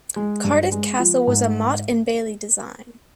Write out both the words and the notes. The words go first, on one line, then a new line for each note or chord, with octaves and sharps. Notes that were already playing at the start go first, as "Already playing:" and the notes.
Cardiff Castle was a motte-and-bailey design.
G#3
G2
G#3
F3
G#2